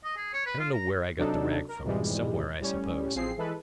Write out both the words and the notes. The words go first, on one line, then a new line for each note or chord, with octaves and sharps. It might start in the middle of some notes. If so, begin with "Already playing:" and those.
"I don't know where I got the rag from--somewhere, I suppose."
D#5
G#4
C#5
B4
F4
A#5
C3 F#3 D4 D#4 A4
A#4
F2 G#2 B2 E3 G3 G#3
A2 G3 C#4
A1 F3 C4 G#4 C7
E3 G#3 A4 B4